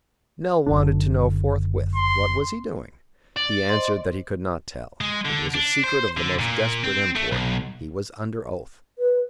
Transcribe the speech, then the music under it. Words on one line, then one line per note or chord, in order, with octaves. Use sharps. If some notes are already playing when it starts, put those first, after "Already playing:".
Nell wanted to know forthwith what was he doing; he answered that he could not tell, it was a secret of the most desperate import; he was under oath.
F#1 D3 D4
C6
D5
C5 D#5 C6
G#3
D3
D4
C5
D3
A#2
C4
A3
B1
B4